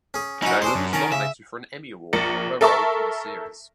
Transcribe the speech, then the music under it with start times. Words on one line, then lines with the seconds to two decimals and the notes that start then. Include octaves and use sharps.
Nolan was nominated for an Emmy Award for her role in the series.
0.14 C#4 G#4
0.42 C#4 D#4 E4 F#4
0.62 D4 G#4 C5 C#5
0.75 F#2
0.93 D#3 C#4 A5 A#5
1.12 C#3 E5
2.13 A#1 A#4 A6 C#7
2.61 A4 A#4 E5 A5 C#6